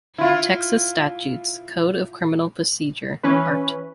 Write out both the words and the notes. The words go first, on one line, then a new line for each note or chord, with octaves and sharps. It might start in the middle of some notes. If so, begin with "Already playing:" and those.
Texas Statutes, Code of Criminal Procedure, Art.
E4 F4
E3 C#4 B4